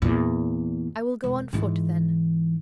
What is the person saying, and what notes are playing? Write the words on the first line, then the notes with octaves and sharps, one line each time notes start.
"I will go on foot, then."
E2 A#2
E1
G#2 E3